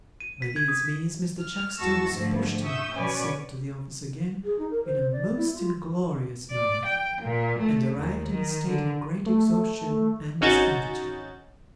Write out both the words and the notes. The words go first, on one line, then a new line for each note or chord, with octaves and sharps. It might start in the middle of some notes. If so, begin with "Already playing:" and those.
By these means Mr Chuckster was pushed and hustled to the office again, in a most inglorious manner, and arrived in a state of great exhaustion and discomfiture.
D#7
B6
G#6
D#6
F6
E2 F#4 A5 C#6 E6 A#6
G#2 D3 F3 A3
E5 C#6 D#6 E6 G6
B2 C#4 B4 C#5 D5 G#5
G#4
D#4
A#4
C5
D5
E4
F4
D5
G5
A#2
A3
D#2
D#3
D3
A3
G#1 C#4 D#4 F#4 G6 A6